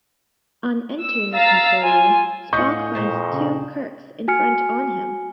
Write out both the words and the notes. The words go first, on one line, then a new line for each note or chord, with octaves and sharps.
On entering a control room, Spock finds two Kirks in front on him.
E6
F5 A#5 E6 A6
F4 G#5
A2 C#4 D#5 F5 F#5 C#6 G6
F2 A#2 C5
C#3
F#4 G#5 F6 C#7